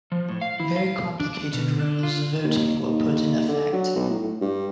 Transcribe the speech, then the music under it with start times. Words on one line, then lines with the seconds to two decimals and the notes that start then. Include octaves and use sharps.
Very complicated rules of voting were put in effect.
0.12 F3
0.29 A2
0.41 F5
0.60 E4
0.76 F5
1.20 D4
1.53 B2
1.79 D4
2.03 F4
2.44 D#2
2.86 D#2
3.48 D3
3.72 F#3
3.96 B1
4.09 A2
4.41 G2